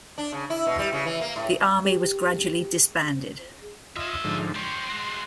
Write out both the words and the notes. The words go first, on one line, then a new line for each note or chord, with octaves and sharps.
The army was gradually disbanded.
D4
C#3
E4
B2
G3
C#3
E3
A#3
A2
G4
F4 C#5 D#5 E5
G#2 D3 F3
G4 C#5 C6
G#3 F#4